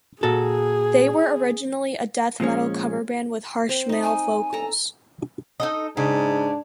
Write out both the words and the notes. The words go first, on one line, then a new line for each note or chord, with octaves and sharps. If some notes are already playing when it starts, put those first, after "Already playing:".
They were originally a death metal cover band with harsh male vocals.
A#2 F#4 G#4 A4
A#2 F3 G#3 C#4
C4
D#4 D#5
G#5
A4 A#5
D#4 A4 D#5
G#2 C#3 D4